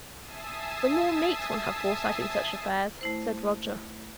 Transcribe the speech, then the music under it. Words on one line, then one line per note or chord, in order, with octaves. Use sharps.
"The law makes one have foresight in such affairs," said Roger.
E5 G#5 A5 D#6 E6 C7
A3 E4 C5